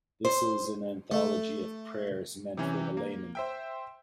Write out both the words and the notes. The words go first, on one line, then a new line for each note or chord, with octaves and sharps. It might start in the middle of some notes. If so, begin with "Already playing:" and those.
This is an anthology of prayers meant for the layman.
C5
A3
C3 E3 C#4
A#3
C5 E5 G5